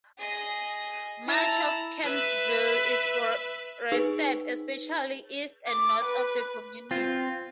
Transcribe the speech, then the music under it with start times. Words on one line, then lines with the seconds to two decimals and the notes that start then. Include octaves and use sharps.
Much of Kemptville is forested, especially east and north of the community.
0.18 G#4 D#5
1.28 E4 A5 A#5
2.04 B4 E5
3.92 D#4 G#4 B4
5.67 D6
6.05 B4
6.91 C4 F4